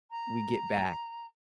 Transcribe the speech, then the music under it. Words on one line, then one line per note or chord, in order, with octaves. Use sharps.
we get back
A#5